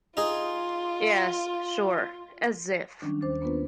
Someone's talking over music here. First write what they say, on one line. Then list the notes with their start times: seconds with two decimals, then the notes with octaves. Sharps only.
Yes sure, as if.
0.17 D#4 F4 G#4
3.02 D#3 F#3 G3 C#4 D4
3.21 D#2 D#3 C5 D6 A6
3.41 A#3 B3 C#4 D4 F4 B4